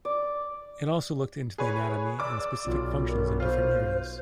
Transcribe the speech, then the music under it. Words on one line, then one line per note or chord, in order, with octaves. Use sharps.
It also looked into the anatomy and specific functions of different areas.
D5
G#4 B4 C#5
D5 D6 E6
B1 F4
A#4
F4 C5